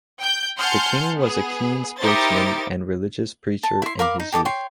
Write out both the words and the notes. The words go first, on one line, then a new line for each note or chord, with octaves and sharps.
The King was a keen sportsman and religious preacher in his youth.
G5 G6
F#5 G#5 A5 C6 F6 G6
B3 G#4
D#4 E4 G4 A#4 C5 A6
A5
E4 C6
A#4 F5 B5 D6
D#4
G4 A4 D#5 D6
C#5 G5 C6